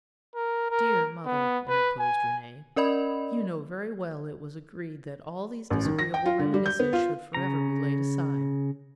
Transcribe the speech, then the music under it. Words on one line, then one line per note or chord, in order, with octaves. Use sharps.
"Dear mother," interposed Renee, "you know very well it was agreed that all these disagreeable reminiscences should forever be laid aside."
A#4
A#4
B3
B4
G#5
C#4 A#4 D5 D#5 B5
A1
D#3
A#6
G5
F4
D3
G3
G6
B3
F4
C#3 A#5